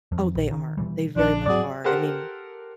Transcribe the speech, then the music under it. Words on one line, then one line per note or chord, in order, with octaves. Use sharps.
Oh, they are. They very much are. I mean,
F2
A#1
D#3
B2 E3 G3
A#1 F3 D4
G#2 F#3 C4 F#4 G#4 D5
G4 A4 A#4 C5 F#5